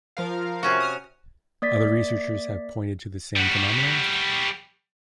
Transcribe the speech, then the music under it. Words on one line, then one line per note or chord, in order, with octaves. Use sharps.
Other researchers have pointed to the same phenomenon.
F3 A#4 F5
C3 C#4 F#4 C#6
D#6 F6
A#3 D5 A6 B6
G3 F#4